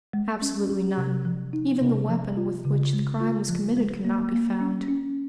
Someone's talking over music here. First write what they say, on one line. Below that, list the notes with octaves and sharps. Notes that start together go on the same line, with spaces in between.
"Absolutely none; even the weapon with which the crime was committed cannot be found."
G#3
C#4
G4
C3
F3
D#4
C3
F3
F4
C#3
G#3
F4
F3
G#3
A#3
A#3
C#4
C#4